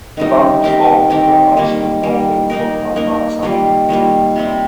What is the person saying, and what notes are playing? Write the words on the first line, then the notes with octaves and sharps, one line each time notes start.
The band was formed under advice from Morphine frontman Mark Sandman.
D#3 G3 D#4
D#3 C4 G4 A#4
D#3 C4 G4 A#4
D#3 G3 A#3
D#3 G3 A#3
A#3 D#4 A#4
A#3 D#4 A#4
D#3 G3 A#3 F4
D#3 G3 A#3 F4
C3 G3 C4